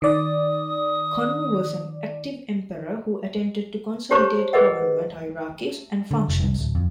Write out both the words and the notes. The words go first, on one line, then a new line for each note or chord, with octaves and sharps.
Kanmu was an active emperor who attempted to consolidate government hierarchies and functions.
D#3 D5 D#6
G4 C5 C#5 A5 A#5 C#6
G#4 A#4 B4 D#5 F#5
D3
F1
C2
D1
F2